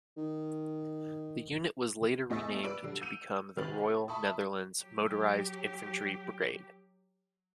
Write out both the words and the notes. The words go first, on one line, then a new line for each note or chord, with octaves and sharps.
The unit was later renamed to become the Royal Netherlands Motorized Infantry Brigade.
D#3
E2 A3 D#5 C#6 E6 A6
B4 D5 E6 D7
D3 F#3 G3
E6 G6 C#7 D#7 F7
C3 D#3 B4 A6 F#7
E5 A5 B5 C#6 D#6
F#3 G4